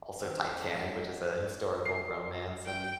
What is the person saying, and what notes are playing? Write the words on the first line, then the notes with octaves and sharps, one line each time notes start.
also Titanic, which is a historical romance and,
D#3 B3 C4
A1
A5
F#3 G#3 A#3 D#4 F#4
C7
G5